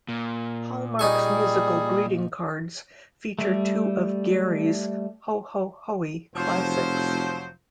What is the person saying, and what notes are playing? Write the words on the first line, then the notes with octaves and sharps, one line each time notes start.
Hallmark's musical greeting cards feature two of Gary's "Ho Ho Hoey" classics.
A#2
G3 D#4 G#4 G#5 C#6
G3 A3
F1 F3 F#3 C5